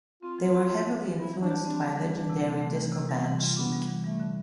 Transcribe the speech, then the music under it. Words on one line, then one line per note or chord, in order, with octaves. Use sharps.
They were heavily influenced by legendary disco band Chic.
C4 F4
F3
G4
E4
C4
F3
G3 E4
E3
D4
G4
C4 D4
G3
E3
E3 D4
C3
C4
A3
E3
C3
G3 C4
E3
F4
B3 D4
G3
E3
G3 A3
D3